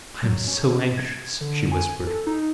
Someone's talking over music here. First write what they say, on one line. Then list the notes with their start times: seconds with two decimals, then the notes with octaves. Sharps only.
"I am so anxious," she whispered.
0.23 F#3
0.48 C#4
0.97 G#6
1.41 D3
1.72 G#5
2.07 A4
2.27 D#4